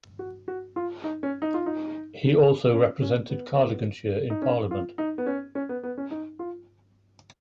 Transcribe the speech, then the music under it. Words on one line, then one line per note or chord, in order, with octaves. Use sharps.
He also represented Cardiganshire in Parliament.
F#4
F#4
F4
D#4
C#4
D#4
F4
D#4
C#4
C#4
B3
B3
D#4
C#4
F4
D#4
B3
C#4
C#4
B3
B3
C#4
D#4
F4